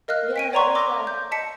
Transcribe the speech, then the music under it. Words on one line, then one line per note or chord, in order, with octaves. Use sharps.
Yeah, that is wild.
A#4 D#5 F5 F6 F#6
B6 D7 D#7
C#5 D5 A#5 C6 C#6
C6 D6 E6 A#6
G6
D#5 A5 B6 C#7